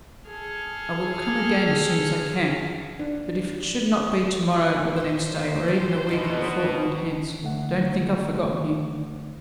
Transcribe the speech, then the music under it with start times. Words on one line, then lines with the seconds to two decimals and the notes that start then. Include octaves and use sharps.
I will come again as soon as I can; but if it should not be to-morrow, or the next day, or even a week or a fortnight hence, don't think I've forgotten you.
0.27 G#4 A4 F6
2.99 D4
3.93 D#6
4.51 F3 D5 D#5
4.96 A#2 C5 C#5 E5
5.68 A2 E3 G4
6.09 B2 E3 D4 D#4
7.43 D3 A3 F#5